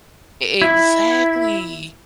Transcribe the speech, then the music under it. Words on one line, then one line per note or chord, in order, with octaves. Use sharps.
E exactly.
E4